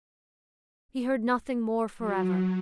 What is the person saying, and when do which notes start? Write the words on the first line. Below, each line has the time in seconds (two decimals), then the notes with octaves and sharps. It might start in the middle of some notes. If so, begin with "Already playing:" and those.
He heard nothing more forever.
1.98 F#3